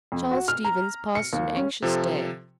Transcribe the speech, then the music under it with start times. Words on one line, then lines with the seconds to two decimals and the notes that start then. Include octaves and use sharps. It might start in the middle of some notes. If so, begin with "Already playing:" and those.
Charles Stevens passed an anxious day.
0.12 F2
0.31 F#4
0.48 F6
0.65 A#5
1.15 C#7
1.33 D#2
1.56 C#4
1.82 C3 F3 A4